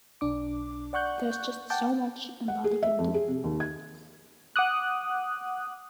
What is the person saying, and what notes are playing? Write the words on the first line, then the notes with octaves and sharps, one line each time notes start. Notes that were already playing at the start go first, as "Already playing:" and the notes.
There's just so much a body can do.
B1 D4 D6
D5 F#5 C#6 F#6 G6
F#5 G5 A5 D6 G6
F#5
G#4
E5
F2
G#4
C3
D#2
G#6
F#5 D6 D#6 F#6